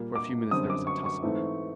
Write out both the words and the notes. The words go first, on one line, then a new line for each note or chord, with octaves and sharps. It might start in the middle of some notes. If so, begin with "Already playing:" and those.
For a few minutes there was a tussle.
Already playing: A#2 G3 A#3
D6
F#2 D3 G3 C4 D#6
D6
C#6
C#6
G#2 E3 A3 C4